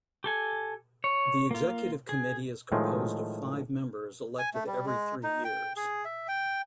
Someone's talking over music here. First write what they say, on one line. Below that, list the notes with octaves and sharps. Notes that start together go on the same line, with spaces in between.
The executive committee is composed of five members elected every three years.
G4 A4 G#5
C#5
A#3 F4
G#4
A2 D#3 F3 G#3
G#5
A3
G3
G#3
D#4
G5
G#4
E5
G5